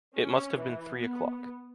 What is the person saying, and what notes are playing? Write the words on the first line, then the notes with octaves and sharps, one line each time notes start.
It must have been three o’clock.
C#4
E3
B3